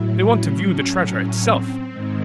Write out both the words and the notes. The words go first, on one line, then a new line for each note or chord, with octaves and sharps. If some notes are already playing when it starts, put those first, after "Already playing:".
They want to view the treasure itself.
Already playing: A2 F#3 E4
C#4
C4
G#2 D#3 G#3